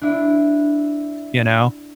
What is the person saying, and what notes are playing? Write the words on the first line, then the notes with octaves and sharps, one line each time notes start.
you know,
D4 E4